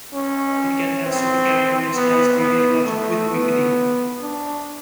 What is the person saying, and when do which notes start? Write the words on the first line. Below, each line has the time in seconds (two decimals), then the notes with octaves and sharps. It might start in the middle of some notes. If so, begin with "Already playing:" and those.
It can also be characterized as linear logic with weakening.
0.13 C#4
1.04 C4
1.95 B3
2.40 B3
2.85 A3
3.30 B3
4.21 D4